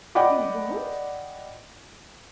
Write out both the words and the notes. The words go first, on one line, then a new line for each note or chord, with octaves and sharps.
"You won't!"
D5 D#5 F#5 G5 B5 D6